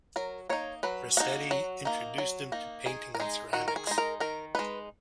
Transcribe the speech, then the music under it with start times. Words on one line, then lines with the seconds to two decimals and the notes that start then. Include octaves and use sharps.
Rasetti introduced them to painting on ceramics.
0.16 F#3 A#4
0.49 A#3 D#4 C#5
0.83 F#3 B4
1.17 A#3 D#4 F#4
1.51 F#3
1.85 A#3 D#4
2.18 F#3
2.52 A#3 D#4
2.86 D#3 G#4
3.15 A#4
3.20 G#3 D#4 G#4
3.53 D#3 F#4
3.68 A#4
3.76 G#4
3.87 G#3 D#4
3.98 A#4
4.20 D#3 A#4
4.55 G#3 D#4 B4